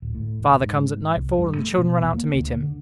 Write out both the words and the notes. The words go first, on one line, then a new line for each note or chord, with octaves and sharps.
The father comes at nightfall, and the children run out to meet him.
D1
A2
D#1
G#2
C2
G2
A3
B2
D#1
A#3
D2
D3